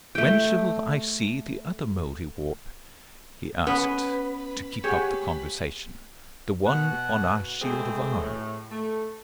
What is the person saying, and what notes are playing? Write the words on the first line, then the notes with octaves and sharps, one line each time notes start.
"When shall I see the other Mouldiwarp?" he asked, to keep up the conversation--"the one on our shield of arms?"
A3 G5
B3 C#4 B4
G4 G#4 C#5 F#5
B2 F#5
B2 G#3 A3 C4 G#4
A2
A3